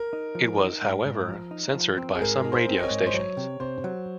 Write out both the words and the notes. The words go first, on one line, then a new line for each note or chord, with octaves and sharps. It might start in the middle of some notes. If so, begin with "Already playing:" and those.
It was, however, censored by some radio stations.
Already playing: A#4
D#4
F3
D#4
G#2
G#2
F3
D#4
F3
C4
G#4
G#2 A#4
D#4
C5
C4
D#5
C#5
G#2
C5
F#3 C#5
C3
C3 C5
F#3